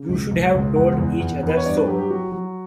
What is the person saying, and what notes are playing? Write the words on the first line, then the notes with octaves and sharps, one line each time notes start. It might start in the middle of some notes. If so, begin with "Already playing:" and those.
You should have told each other so.
Already playing: C#3
C#2
C#2
C#2
E2 F#5
E2
E2
E2
B4
C#5
G2 D5
B4
F#3 G4
G4
F#3 F#4
F#3